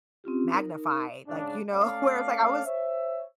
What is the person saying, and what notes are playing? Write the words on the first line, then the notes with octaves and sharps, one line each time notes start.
magnified, like, you know, where it's like I was
C4 C#4 F4 G4
D#4 A#4
G#2 C#3 D4
A3 C#4 A4 C#5 D5 F5
C5 C#5 E5